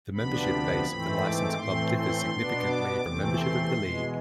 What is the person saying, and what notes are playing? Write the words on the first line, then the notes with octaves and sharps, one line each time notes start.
The membership base of the licensed clubs differs significantly from membership of the League.
D2 C3 F3 B3 D4 B5
G#2 E3 A3 C4
D6
A2 E3 A3 C4 C6
C6
B2 B3 D4
D6
E2 C3 E3 A3 C4
C6
E2 B2 G#3